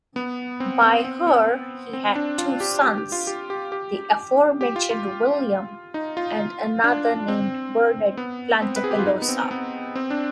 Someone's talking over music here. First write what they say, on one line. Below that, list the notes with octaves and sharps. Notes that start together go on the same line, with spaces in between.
By her he had two sons, the aforementioned William and another named Bernard Plantapilosa.
B3
C4
B3
C4
B3
C4
D4
F4
G4
G4
G4
F4
G4
G4
G4
G4
F4
F4
D#4
F4
D4
C4
B3
C4
B4
G#4
G4
F4
D#4
B3
C4
B3
C4
D4